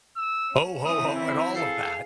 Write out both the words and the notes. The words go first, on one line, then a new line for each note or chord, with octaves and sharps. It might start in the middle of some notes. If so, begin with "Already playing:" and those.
"Ho! Ho! Ho!" and all of that,
E6
C#4
E3 C4 D#6
E4
G#4 A4 F5